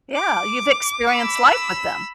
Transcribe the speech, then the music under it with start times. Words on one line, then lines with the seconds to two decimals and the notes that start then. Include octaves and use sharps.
Yeah, you've experienced life with them.
0.15 D6
1.11 B5 E6